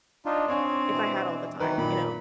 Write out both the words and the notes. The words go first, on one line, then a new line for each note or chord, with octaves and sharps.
if I had all the time, you know?
D4 D#4 F4
C4 D4 C#5 G#5
B2 E3
D#3 E3 F#3 B4
F#2 A#2 B5